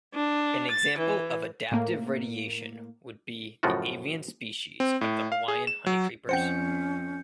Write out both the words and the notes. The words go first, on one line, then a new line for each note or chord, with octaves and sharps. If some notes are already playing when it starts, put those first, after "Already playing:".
An example of adaptive radiation would be the avian species of the Hawaiian honeycreepers.
D4
A6
E3
A2 A#3
F#2 A2 C#3 F3 F4 F#4
C4
A2
F5
G#4
E7
F#3
F2 C#4 C5 F#5 G5 G6 C#7